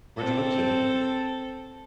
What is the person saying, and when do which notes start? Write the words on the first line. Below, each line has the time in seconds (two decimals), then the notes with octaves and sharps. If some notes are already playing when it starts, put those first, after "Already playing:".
Where'd you move to?
0.17 C4 A4